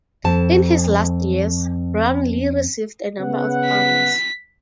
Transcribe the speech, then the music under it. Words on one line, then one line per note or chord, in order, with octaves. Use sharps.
In his last years, Brownlee received a number of honours.
F2 A5
C#3 B3 F#5
B6